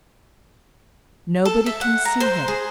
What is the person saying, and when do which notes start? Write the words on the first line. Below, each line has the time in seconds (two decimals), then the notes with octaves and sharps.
Nobody can see him.
1.45 A4
1.66 E5
1.81 F#5
2.05 A#5
2.20 C5
2.48 G#4